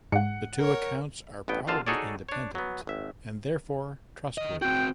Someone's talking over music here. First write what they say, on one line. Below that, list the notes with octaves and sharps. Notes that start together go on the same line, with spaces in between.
The two accounts are probably independent and therefore trustworthy.
G#2 F#5 C#7
A#4 C#5
A1 G2 B3 G5
A#1 F#2 D3 F4 F5 A5
D#4 F#4 G#4 A4 C#5 D5
D4 C#5
F#3 B3
G#1 E5
D#3 D#5
C4 F#4 G5